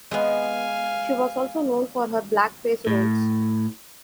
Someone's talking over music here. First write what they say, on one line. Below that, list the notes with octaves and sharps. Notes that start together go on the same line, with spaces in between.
She was also known for her blackface roles.
G#3 B3 F5 G#5
A2